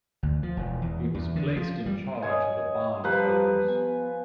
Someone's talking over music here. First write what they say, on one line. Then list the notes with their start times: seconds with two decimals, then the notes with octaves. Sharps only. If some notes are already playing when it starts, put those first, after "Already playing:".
He was placed in charge of the bomb-throwers.
0.23 D2
0.43 F3
0.57 E1
0.82 E2
1.14 E2
1.36 D3
1.56 F3
1.86 G3
2.22 C#5 D#5 G#5 D#6
3.04 F3 G3 G4 B4 A#5
3.64 B3 G#5